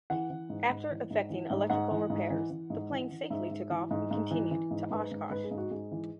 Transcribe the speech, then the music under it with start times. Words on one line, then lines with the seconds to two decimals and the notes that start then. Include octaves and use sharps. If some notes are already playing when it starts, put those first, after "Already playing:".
After effecting electrical repairs, the plane safely took off and continued to Oshkosh.
0.10 E3 F#5
0.30 E3
0.50 G#2
0.70 G#2
0.90 E3
1.11 G#2
1.30 E3
1.50 G#2
1.70 G#2 F#5
1.90 E3
2.10 G#2
2.30 E3
2.50 E3
2.70 G#2
2.91 E3
3.10 E3
3.30 G#2 E5
3.51 G#2
3.70 E3
3.91 G#2
4.11 G#2
4.31 E3
4.51 E3
4.71 G#2
4.91 G#2 B4
5.11 G#2
5.30 G#2 B4
5.44 G#4
5.51 G#2
5.58 F#4
5.71 G#2 G#4
5.91 E3